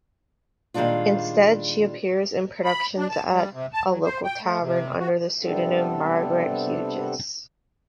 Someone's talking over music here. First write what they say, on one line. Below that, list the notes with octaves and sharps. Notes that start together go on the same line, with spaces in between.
Instead, she appears in productions at a local tavern under the pseudonym Margaret Hughes.
A#2 D#3 G3 G#3 D4 F4
B5
D4
A5
G3
C3
A5
F#3
C5
G5
A3
C3
F#4
C3 G3 B3 C4 D4 A4